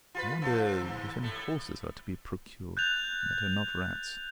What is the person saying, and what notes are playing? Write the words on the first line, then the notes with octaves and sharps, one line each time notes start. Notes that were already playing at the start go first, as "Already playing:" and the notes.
I wonder if any horses are to be procured that are not rats.
F4 G4 B4
F3 A3
C4
D#2
A2 A3
F#6 G6 A6 F7